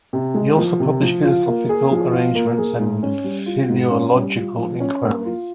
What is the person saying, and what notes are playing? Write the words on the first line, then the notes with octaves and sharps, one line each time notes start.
He also published "Philosophical Arrangements" and "Philological Inquiries".
C3
G#3
F3
C3
F3
F4
A#3
G#4
F3
F4
A#3
G#4
G#2
C#4
G3
F4
G#2
C#4
G3
F4
F3
C#4
A#3
F4